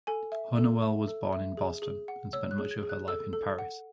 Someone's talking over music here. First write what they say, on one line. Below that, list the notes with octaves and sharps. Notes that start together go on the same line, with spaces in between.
Hunnewell was born in Boston and spent much of her life in Paris.
A4 G#5
E5
A4
E5
A4
E5
G#4
G#4
F#5
C#5 E6
F#6
G#4
G#6
G#4
F#6
A4 E6
A4
F#5